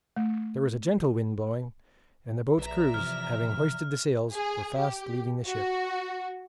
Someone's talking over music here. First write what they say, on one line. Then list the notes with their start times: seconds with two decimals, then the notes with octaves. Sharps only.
There was a gentle wind blowing, and the boats' crews, having hoisted the sails, were fast leaving the ship.
0.17 A3
2.57 A#1 B4 D5 E5 A#5
2.94 C3 E3 F3 F6
4.33 G#4
4.77 G4
5.47 F#4